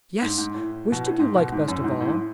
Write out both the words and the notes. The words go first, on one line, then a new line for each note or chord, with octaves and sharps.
"Yes! which did you like best of all?"
G#2
G#2
A2
B2
A2
G#2
B2
G#2
F#2
A2
G#2
A2
G#2
A2